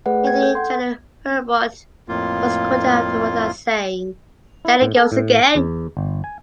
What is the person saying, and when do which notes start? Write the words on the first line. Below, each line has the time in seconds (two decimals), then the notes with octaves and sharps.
Union General Hurlbut was quoted afterward as saying, There it goes again!
0.06 A3 G#4 B4 D5 F#5
0.25 G5 G#6
0.41 A4 G6
0.55 F#5 C6
2.08 F2 A2 A#3 F4
4.65 E4
4.82 A2
4.97 A4
5.12 A2
5.55 E2
5.97 G1
6.24 G#5